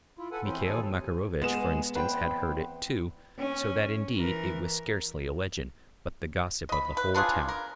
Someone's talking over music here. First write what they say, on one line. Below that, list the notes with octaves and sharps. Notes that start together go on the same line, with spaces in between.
Mihail Makarovitch, for instance, had heard it, too, so that indeed, it was scarcely a legend, but the gossip of the whole town.
E4 F4
A4 B4 F#5 G#5
E3 C4 C#4 E4 C5
D#2 G#4 A4 G#5
G#3 B3 G#4 E7
E2 C4 B4 G5
C#4
E3 A#4
D#5 B5
B4
B3 D4 F4 G#4
A#4